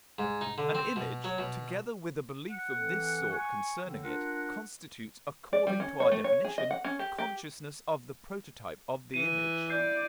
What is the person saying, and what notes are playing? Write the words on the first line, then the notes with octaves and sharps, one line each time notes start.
An image, together with a belief of this sort concerning it, constitutes, according to our definition, consciousness of the prototype of the image.
G#2
D#4
D3
C4
B2
F#3
B2
F#5
E3 C4 A4
G#5 C#6
D3 F#3 C4
D4 F4 A#4 F#5
D5
G3
C#4
C#5
A3
C#5
G#4
D#5
F#5
C#4
G4
G4
E3 D#7
E4 D5 G6 C7